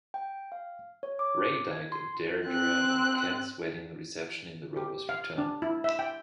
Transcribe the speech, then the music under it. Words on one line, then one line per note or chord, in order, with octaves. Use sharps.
Ray died at Deirdre and Ken's wedding reception in the Rover's Return.
G5
F5
C#5
D6
G#6
C6
C4 F#6
G4
F5
D4
E4
E5
G5